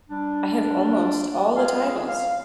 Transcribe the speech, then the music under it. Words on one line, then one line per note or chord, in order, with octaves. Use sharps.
I have almost all the titles.
G3 D4
G#3 F4 G#4 F5
F5